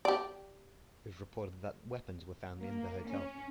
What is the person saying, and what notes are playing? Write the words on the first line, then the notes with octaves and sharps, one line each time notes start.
It was reported that weapons were found in the hotel.
G4 D5
A#3
C#4